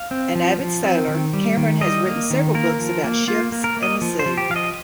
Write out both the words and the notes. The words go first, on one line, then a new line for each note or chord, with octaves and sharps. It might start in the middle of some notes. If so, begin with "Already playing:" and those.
An avid sailor, Cameron has written several books about ships and the sea.
Already playing: F5
C4
F3
F3
C4
D#3
G3
D#3
G3 D#5
A#3
D#3
A#3 A#4
F3
A#3
A#3 F4
A#3
A#4
A#3
D#5
F3
C5
F3
G4
F3 F5
D#5